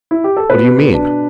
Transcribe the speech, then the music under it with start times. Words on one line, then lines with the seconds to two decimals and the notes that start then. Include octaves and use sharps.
What do you mean?
0.11 E4
0.24 G4
0.37 A4
0.50 B2 B4
0.94 D4